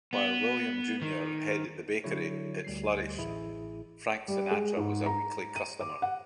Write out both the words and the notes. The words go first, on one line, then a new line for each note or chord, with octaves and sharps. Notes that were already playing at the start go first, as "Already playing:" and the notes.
While William Junior headed the bakery, it flourished; Frank Sinatra was a weekly customer.
B3
D#3
D3 F#3 E4 C#5
D2 G3 C7
A1 E4 G#4
G3
G#3
G#2
A#5
D#7
D6
F#5